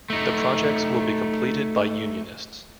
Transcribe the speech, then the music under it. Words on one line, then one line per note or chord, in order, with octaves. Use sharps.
The projects will be completed by unionists.
A3 D#4